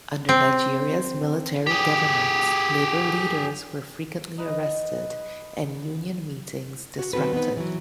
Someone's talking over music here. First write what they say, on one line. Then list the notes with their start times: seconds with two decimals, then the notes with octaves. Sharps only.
Under Nigeria's military governments, labour leaders were frequently arrested and union meetings disrupted.
0.29 C4
1.67 G4 G#4
4.38 D#4 B4 D#5
6.99 F#4
7.13 D#3 G3 C4 F#4 A4 B4
7.33 B3 C4 D#4 B4
7.57 E3 F#3